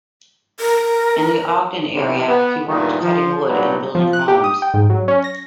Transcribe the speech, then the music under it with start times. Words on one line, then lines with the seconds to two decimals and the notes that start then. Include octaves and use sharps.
In the Ogden area, he worked cutting wood and building homes.
0.60 A#4
1.93 B1 C3 E3
2.27 B3
2.67 E2 G2 A#2 D#3
3.00 F3
3.46 A#2 F#3 G3 B3 D4 D#4
3.95 F3
4.13 F#6
4.28 G4
4.44 D#6
4.62 G5
4.74 G#2
4.90 F#3
5.08 C#4
5.24 A#6